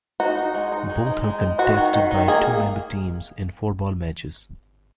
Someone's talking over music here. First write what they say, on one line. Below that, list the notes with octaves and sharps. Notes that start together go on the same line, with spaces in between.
Both are contested by two-member teams in four-ball matches.
D#4 F#4
D#4
G#3
D#4
G#3
D#4
G#3
G#3
D#3 F#4
D#3
D#3
D#3
A#3 G#4